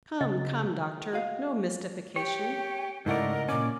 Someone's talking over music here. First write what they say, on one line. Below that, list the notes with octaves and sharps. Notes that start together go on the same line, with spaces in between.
"Come, come, Doctor, no mystification."
C#3 D#5
F#4 D#5 F5
G4 C#5 G5
G#2 C#3 A3 E4 A#4 D5 D#5 F#5
A#2 C#4 D6